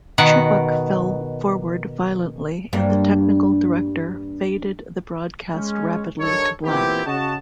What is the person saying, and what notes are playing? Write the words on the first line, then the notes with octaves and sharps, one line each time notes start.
Chubbuck fell forward violently and the technical director faded the broadcast rapidly to black.
B2 D#3 F#5
G2 A#3
G#3 C#4
G2 D#3 A4 C#5
A#2 E3 B3 C4 E4 G4
C#3 F#4 D#5 A5